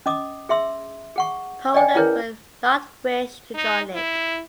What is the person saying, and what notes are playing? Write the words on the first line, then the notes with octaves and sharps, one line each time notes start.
Poland will not wish to join it.
C#4 D#5 D6 D#6
G#4 E5 C6 E6
G#4 F#5 C#6
D5 D#5 G5 G#5
C#4 E4 G#4 A#4 B4 C#5
D#4
E4